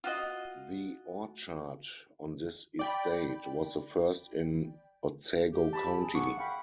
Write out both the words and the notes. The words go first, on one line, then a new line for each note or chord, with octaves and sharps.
The "orchard" on this estate was the first in Otsego County.
F4 F#4 D#5
D5 G5 B5
G4
A5 B5
G#4
F#5 C#6 D6
F5 G5 B5